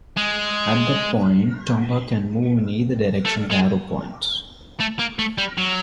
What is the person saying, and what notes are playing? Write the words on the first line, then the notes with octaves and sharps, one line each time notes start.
At that point Tomba can move in either direction the arrow points.
G#3
A3
G#3
A3
A#3
A3
G3
F#3